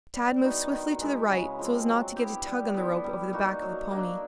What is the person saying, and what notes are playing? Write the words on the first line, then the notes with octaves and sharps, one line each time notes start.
Tad moved swiftly to the right, so as not to get a tug on the rope over the back of the pony.
G3
B3 D#4 F#4
D#3
G#3 B3 E4
C#3
F3 G#3 C4
F#3
B3 E4 G4
G3
B3 E4 A4
G3
A#3 D#4 F#4
F#3
A#3 D4